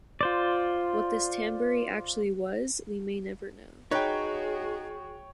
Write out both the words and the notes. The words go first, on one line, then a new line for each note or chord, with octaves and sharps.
What this tambouri actually was we may never know.
F4 C5 D5
D#4 F#4 G#4 B4 C#5 G5